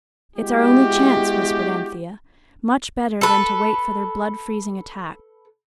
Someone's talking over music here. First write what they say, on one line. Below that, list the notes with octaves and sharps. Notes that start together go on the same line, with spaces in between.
'It's our only chance,' whispered Anthea. 'Much better than to wait for their blood-freezing attack.
G#3 B3 E4 F#4 G4
A4 B4